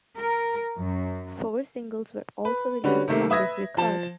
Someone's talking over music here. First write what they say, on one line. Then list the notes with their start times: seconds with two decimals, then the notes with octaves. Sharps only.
Four singles were also released from this record.
0.19 A#4
0.77 F#2
2.45 B4
2.84 D3 G3 C#4 F#4 B4
3.08 C3 D#3 A3 A#3
3.30 B4 E5 D#6 G#6 A#6
3.77 F3 A5